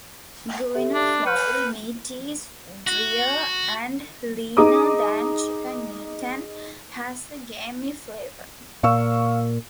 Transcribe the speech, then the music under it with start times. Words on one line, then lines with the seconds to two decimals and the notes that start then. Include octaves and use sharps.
Guineafowl meat is drier and leaner than chicken meat and has a gamey flavour.
0.75 G4 A4 E5
0.94 D4
1.26 B4 F6 G6 C#7
2.87 F#4
4.57 D#4 G#4 A#5 D6 D#6
8.83 A#2 F5 C#6 E6